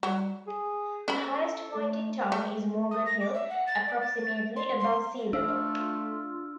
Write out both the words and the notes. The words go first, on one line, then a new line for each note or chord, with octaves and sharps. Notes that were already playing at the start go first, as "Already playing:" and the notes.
The highest point in town is Morgan Hill, approximately above sea level.
F#3 G3
G#4
C#4 A4 B5
A3
A3 A4
D#6
A#6
D6
E5
F#5
A6
D5
A6
C6
C6
A3 D4 F4 E6 F6